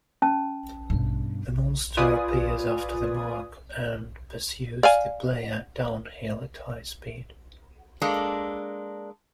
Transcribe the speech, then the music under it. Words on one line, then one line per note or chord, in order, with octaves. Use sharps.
The monster appears after the mark and pursues the player downhill at high speed.
C#4 A5
G2 B2
F4 B4 D5 G#5 D#6
D5 F5 G#5
G#3 A#3 D4 A4